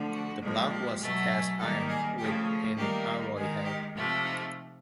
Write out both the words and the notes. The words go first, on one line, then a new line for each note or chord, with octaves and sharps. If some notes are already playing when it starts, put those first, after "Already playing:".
The block was cast iron, with an alloy head.
Already playing: D3 F3 A3
F#4
A#2 F3 G#3
G4
B2 F#3 A3
G#4
D#3 G3 A#3 A4
G#4
C#3 F3 A3 G4
D#3 G3 A#3 G4
D#3 G#3 G#4
G4
C3 F3 A3
D#4